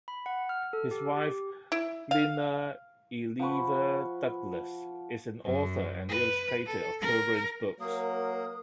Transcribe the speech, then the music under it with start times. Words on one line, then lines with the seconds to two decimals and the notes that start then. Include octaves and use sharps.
His wife, Nina Ilieva Douglas, is an author and illustrator of children's books.
0.08 B5
0.26 F#5
0.49 F6
0.73 A4
0.91 G4
1.17 G4
1.72 E4
2.11 F5
3.40 F3 F#5 B5 C#6
5.44 F#2
6.09 B4
6.66 A4
7.02 A#4
7.80 F#3 A#3 A#4 D#6